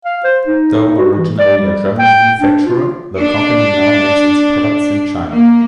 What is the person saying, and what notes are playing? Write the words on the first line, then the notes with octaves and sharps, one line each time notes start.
Though originally a German manufacturer, the company now makes its products in China.
F5
C5
D#4
F#4
E3
D5
G3
G5
D4
F4
D4
A#3